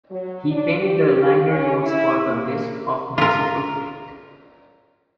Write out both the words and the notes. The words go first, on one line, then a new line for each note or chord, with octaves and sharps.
He penned the liner notes for the Best of Mercyful Fate.
F#3
D4
G4
C#4
E4
A#3
F4 A#4